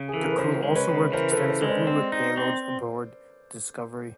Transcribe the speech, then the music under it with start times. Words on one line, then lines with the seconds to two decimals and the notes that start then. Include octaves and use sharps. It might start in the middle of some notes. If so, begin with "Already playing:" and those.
The crew also worked extensively with payloads aboard Discovery.
Already playing: C#3
0.08 G#4
0.14 E3 A4
0.23 A#4
0.31 B4
0.38 C#3 A#4 C5
0.63 G#3 C5
0.75 B4 C#5
0.89 C#3
1.12 E3 A#4 C5
1.31 A4 B4
1.37 C#3
1.50 A#4 C5
1.62 G#3
1.68 C5 D5
1.87 C4 C5 D5
2.12 D#4
2.37 C4